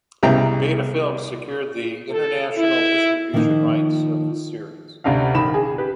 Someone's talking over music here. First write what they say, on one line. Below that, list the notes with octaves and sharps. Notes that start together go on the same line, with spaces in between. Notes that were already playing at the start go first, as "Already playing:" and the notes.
Beta Film secured the international distribution rights of the series.
C2 C#3 B3 E4 G5 A#5
A4
E4
D#3 F3 A#3 C#4 D#4
D2 C3 D4 F5
A#1 D#3 B5 E7
G#4
G4 B4